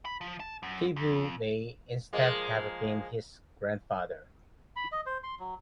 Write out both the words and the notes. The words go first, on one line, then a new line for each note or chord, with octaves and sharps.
Thibaud may instead have been his grandfather.
B5
F3
A5
F#2
F2
F3 G#3 A#3
B5
D#5
C5
C6
F#3